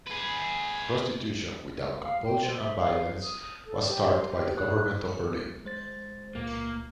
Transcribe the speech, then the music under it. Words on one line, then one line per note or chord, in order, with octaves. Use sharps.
Prostitution without compulsion and violence was started by the government of Berlin.
G#4 B4
F5
G5
C5
E5
F5
D#6
A4
G4
C6
G4
F#6
G#3 C5 A6
C#2 A#2 A#3